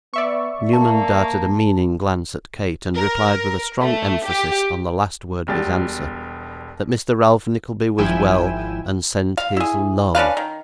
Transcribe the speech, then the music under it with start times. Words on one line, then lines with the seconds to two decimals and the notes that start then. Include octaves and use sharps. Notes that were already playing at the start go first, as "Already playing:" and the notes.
Newman darted a meaning glance at Kate, and replied with a strong emphasis on the last word of his answer, that Mr Ralph Nickleby was well, and sent his LOVE.
0.14 B3 D5 E5 C#6
0.73 A#3 A5
2.95 A#4
3.82 A3
4.27 G4
5.48 E1 B2 G3 G4 A6
7.98 G#1 F3 E4 G5 G#5 E7
9.37 F5
9.57 E4 G#4
10.15 C#4 D4 B4 F5
10.37 D#3